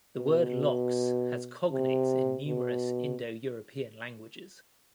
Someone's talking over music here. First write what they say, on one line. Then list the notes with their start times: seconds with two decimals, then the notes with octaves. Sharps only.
The word "lox" has cognates in numerous Indo-European languages.
0.19 B2
1.72 C3
2.48 B2